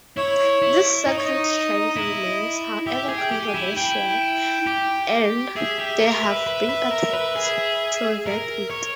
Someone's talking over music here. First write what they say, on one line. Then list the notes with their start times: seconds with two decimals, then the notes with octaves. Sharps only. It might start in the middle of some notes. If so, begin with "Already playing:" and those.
This second change remains however controversial and there have been attempts to revert it.
0.17 E4 C#5
0.62 E4
1.07 D#4 D#5
1.17 C#5
1.25 D#5
1.96 E4
2.87 G4 E5
3.09 G#4
3.17 G5
3.32 G4
3.47 G#5
3.55 E4
3.76 E4 G5
4.67 G4
5.57 G#4 E5
5.79 G4
6.01 A#4
6.24 B4
6.46 B4
6.69 B4
6.91 A#4
7.14 B4
7.36 G#4
8.26 A#4
8.70 C#5